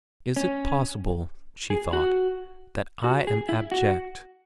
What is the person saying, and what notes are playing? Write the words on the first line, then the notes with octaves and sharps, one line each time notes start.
'Is it possible,' she thought, 'that I am abject?'
C#4
G#4
F#4
F#4
G#4
E4
F#4